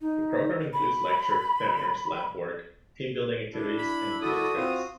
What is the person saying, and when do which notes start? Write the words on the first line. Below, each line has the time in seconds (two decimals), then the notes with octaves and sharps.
The program includes lectures, seminars, lab work, team-building activities and field trips.
0.01 D#4
0.73 B5
3.54 D4 E4
3.78 B5
4.22 F#4 A4 D5 D#6
4.56 C4 F4 F#4